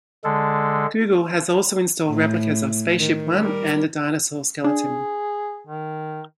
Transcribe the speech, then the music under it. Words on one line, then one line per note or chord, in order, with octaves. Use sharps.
Google has also installed replicas of SpaceShipOne and a dinosaur skeleton.
D3 G#3 A4
A2
D#3
G3 A#4
D4 G#4
D#3